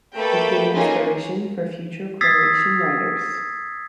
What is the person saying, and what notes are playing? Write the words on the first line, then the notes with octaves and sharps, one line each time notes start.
It gave inspiration for future Croatian writers.
A3 A#3 A4 B4 G5 B5
A#3 C#4 D#4 F4 G#4
D#6 E6 G#6 A6 B6 C7